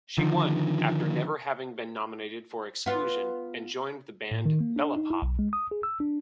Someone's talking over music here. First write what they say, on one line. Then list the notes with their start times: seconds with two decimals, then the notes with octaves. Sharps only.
She won, after never having been nominated for exclusion, and joined the band Bellepop.
0.18 D3 D#3 F3
2.86 B3 F4
4.31 A2
4.46 D#3
4.60 A#3
4.76 D4
4.96 D#4
5.10 E4
5.22 B1
5.39 G#3
5.53 D#6
5.71 G#4
5.83 E6
6.00 D4